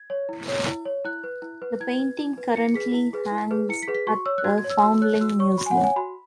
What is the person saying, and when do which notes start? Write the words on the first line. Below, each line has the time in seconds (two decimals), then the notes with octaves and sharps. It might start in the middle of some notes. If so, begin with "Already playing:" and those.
The painting currently hangs at the Foundling Museum.
Already playing: G#6
0.10 C#5
0.29 E4
0.48 C#5
0.66 E4
0.85 C#5
1.04 E4 F#6
1.24 B4
1.42 E4
1.62 B4
1.80 E4 G#6
1.99 B4
2.18 E4
2.38 B4
2.56 E4 C#7
2.74 G#4 B4 B6
2.94 E4
3.13 G#4 B4
3.31 E4
3.51 G#4 B4
3.69 E4 C#7
3.83 B6
3.88 G#4 B4
3.94 B6
4.07 F#4 C#6
4.26 C#5 E6
4.38 F#6
4.44 F#4 G#6
4.58 G#6
4.64 C#5
4.70 E6
4.83 F#4 E6
5.01 C#5 F#6
5.21 F#4 E6
5.39 C#5 C#6
5.58 F#4 B5
5.66 G#5
5.71 F#5
5.78 C#5
5.84 G#5
5.96 F#4 B5